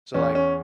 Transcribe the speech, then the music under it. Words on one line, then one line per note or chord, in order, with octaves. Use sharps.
So, like,
E2 C#4
C#4